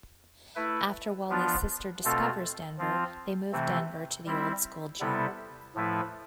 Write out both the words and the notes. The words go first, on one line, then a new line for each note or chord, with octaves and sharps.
After Wally's sister discovers Denver they move Denver to the old school gym.
A3 E4 B4
F3 B3 D4 F4
B2 A3 C4 F4 A4
F3 C4 F4
C3 E3 A3 C4
G3 C4 E4
C3 G3 B3 E4 A4
A2 F3 A3 E4 B4